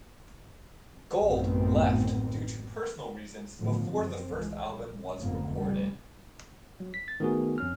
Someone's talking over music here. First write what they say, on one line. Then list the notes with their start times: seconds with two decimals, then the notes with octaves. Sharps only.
Gold left due to personal reasons before the first album was recorded.
1.21 A1 F#2 B2 D#3 B3 C4
3.58 A2 D3 D#3 F3 B3
3.89 F#2 C3 C4
4.34 C2 E3 G#3
4.67 A#1
5.19 F1 F2 G#2 D3 A#3 B3
5.56 A1 C#3 G3
6.80 F#3
6.94 B6
7.08 A6
7.20 D#3 A3 B3 F#4 G#4
7.58 F2 C#4 F6